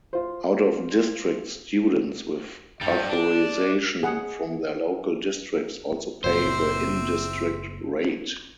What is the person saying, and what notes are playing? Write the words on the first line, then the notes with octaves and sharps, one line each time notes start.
Out-of-district students with authorization from their local districts also pay the in-district rate.
F4 C5
G2 G3
D4
G#4 F#5
F#1 A#2 F#3 C4 C5 E5